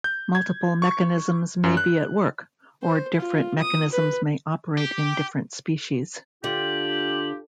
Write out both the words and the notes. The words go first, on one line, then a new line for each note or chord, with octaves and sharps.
Multiple mechanisms may be at work, or different mechanisms may operate in different species.
G6
G#6
C#6
F#2
F#6
C5
F4
D#6
B4
G4
D3 F4 G4 F#7